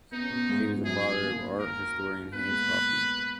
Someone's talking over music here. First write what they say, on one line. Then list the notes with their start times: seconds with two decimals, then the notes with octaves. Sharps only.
He was the father of art historian Hans Kauffmann.
0.12 B3 D#4
0.20 C#4
0.29 B2 B3
0.49 G#2 G#3
0.78 E3
0.85 F#2 F#3 G#4
1.22 D#2 D#3
1.59 A#4
2.33 B3 B4
2.41 A#3
2.48 G#3
2.55 A#2 A#3